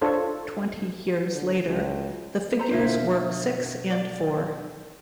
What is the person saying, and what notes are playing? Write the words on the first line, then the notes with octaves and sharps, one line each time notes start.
Twenty years later the figures were six and four.
D4 F4 A4 C5 C#5
D3
C#2
A4 C5 A#5 C6
B2 D3 E4 F4 C5
D5